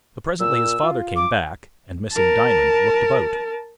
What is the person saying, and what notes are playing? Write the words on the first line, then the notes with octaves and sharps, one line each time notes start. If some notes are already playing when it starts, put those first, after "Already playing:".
But presently his father came back, and missing Diamond, looked about.
A#2 E6
F4
D6
A#4 A5